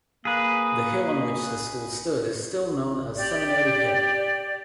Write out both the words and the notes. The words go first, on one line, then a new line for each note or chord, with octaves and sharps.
The hill on which the school stood is still known as Seminary Hill.
A#3 G#4 B4
G4 D5